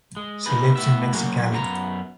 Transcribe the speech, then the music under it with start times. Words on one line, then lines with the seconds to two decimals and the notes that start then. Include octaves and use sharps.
She lives in Mexicali.
0.17 G#3
0.46 B3 D#4 G#4 B4
0.76 A2 B3 E5
1.14 F#3 A#3 C#4 F#4 G#4
1.51 F#2 B3 G4 A#5